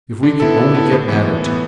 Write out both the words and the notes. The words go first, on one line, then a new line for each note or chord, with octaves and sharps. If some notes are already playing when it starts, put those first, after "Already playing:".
If we could only get at it!
D3
B3 E4 A4
D3
B3 E4 A4
A2
E3 B3
A2
E3 B3